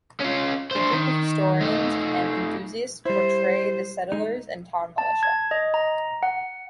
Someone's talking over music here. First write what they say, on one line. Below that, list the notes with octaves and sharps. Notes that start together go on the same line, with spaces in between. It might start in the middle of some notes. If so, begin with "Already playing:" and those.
A group of historians and enthusiasts portray the settlers and town militia.
C#4 F4
D4 C5
D#3
A3 D#4
G3 E4 C5
G#3 D#4
A5
G#6
D#5
A#5
F#5